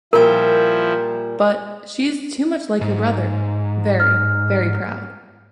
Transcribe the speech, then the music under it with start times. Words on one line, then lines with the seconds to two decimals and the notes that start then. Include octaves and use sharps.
But she is too much like her brother — very, very proud.
0.13 A#2 F3 G3 E4 A#4 G5
2.81 G#2
4.00 F6